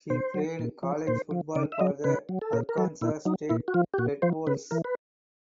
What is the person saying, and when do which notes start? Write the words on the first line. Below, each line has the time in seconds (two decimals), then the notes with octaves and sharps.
He played college football for the Arkansas State Red Wolves.
0.10 B2 C5
0.34 F#3
0.59 A#2
0.83 F3
1.07 A#2 C5
1.31 F3
1.55 C#3 D5
1.72 E5
1.80 F#3 D#5
2.04 C#3 B4
2.29 F#3
2.42 A4
2.53 A#2 A#4
2.69 A#4
2.78 F#3 A4
3.01 A#2 E4
3.25 F#3 D#4
3.49 A#2 E4
3.68 F#4
3.74 F3 F4
3.94 G4
3.98 A#2 F#4
4.22 F3 C5
4.47 C#3 B4
4.71 E3 A#4
4.84 B4